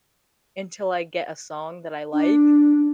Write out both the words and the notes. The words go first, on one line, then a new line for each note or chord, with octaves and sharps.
until I get a song that I like
D4